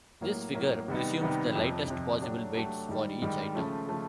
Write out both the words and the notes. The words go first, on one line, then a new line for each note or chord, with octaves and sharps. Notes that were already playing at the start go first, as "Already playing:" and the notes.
This figure presumes the lightest possible weights for each item.
A2 F#3 A#3
A2 F#3 A#3
C3 D#3 G3 B3 D#4
C3 D#3 G3 B3 D#4
F2 C3 F3
F2 C3 F3
F#3 A3 D4 G4
F#3 A3 D4 G4
G#2 D#3 G3
G#2 D#3 G3
C#3 F3 A3
C#3 F3 A3